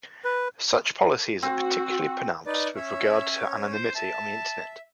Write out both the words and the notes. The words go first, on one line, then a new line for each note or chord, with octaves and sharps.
Such policies are particularly pronounced with regard to anonymity on the Internet.
B4
C4 F#4
D#4 B4 D5
C#4 C#5 E5
C5
E5 A5